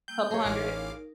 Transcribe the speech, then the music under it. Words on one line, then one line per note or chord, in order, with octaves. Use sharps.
couple hundred.
G3 A#3 E6 G6
G#4 A#4 C#5
A1 D#4 A#4 F5 D6